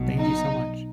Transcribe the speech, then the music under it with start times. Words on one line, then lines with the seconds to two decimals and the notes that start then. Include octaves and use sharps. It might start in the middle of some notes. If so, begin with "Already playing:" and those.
Thank you so much.
Already playing: B1 B2
0.18 D#4